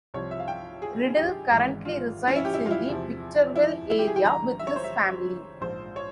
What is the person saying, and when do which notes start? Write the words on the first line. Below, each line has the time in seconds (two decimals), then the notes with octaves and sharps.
Riddle currently resides in the Victorville area with his family.
0.14 C2 C3 F3 C#5
0.31 E5
0.40 F5
0.48 G5
0.82 G#4
1.17 G4
1.51 G#1 G#2 E3
1.85 F4
2.28 C#4
2.36 E4
2.45 G4
2.54 E4
2.66 F4
2.71 E4
2.88 E2 C3 F3
3.56 E4
3.90 E4
3.99 G4
4.07 G#4
4.16 G5
4.24 G1 G2 E3 A#5
4.59 E5
4.67 C#5
4.76 C5
4.84 E5
5.61 A#1 G#2 F3 C5
5.96 C#5